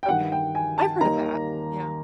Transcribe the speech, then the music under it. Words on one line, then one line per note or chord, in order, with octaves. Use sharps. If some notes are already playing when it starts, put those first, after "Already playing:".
Okay. I've heard of that. Yeah.
G5
G2 D#3 G3 F#5
G5
G#5
A5
D#2 D#3 G3 A#3 D#4 A#5